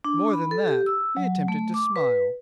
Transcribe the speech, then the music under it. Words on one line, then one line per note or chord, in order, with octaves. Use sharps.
More than that, he attempted to smile.
D4
B5
A4
G4
E6
F#3
A3
D6
B4